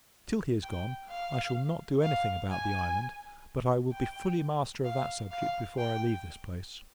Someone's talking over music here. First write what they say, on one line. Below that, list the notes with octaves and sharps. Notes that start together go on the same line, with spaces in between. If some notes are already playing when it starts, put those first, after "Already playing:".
Till he is gone, I shall not do any thing about the island; but I will be fully master of that subject before I leave this place.
G5
F5
F5
G#5
G5
F5
F5
G5